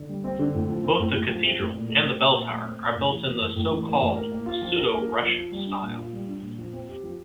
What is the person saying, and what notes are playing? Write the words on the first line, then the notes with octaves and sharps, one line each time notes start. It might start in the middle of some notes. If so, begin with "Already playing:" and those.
Both the cathedral and the belltower are built in the so-called pseudo-Russian style.
Already playing: D3
G3
C4
D3
A2
F3
C4
A2
A2
F3
C4
A2
A#2
A3
C4
A#2
A#2
A3
C4
A#2
A2
E3
A#3
A2
A2
E3
A#3
A2
A#4
A#3
F4
F3
A#4
A#3
F4
F3
F4
G3
D4
A#2
F4
G3
D4
A#2
F3
C4
G4
F3